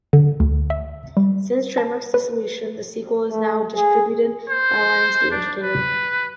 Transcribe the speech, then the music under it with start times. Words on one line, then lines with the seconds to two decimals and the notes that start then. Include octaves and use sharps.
Since Trimark's dissolution, the sequel is now distributed by Lions Gate Entertainment.
0.13 D3
0.40 D2
0.70 E5
1.17 G3
1.78 A5
2.14 B4
3.29 A3
3.76 G#4
4.50 C5
5.31 D4
5.64 B4